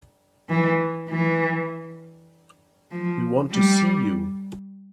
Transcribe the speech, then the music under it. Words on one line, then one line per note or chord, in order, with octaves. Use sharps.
We want to see you.
E3
E3
F3
G3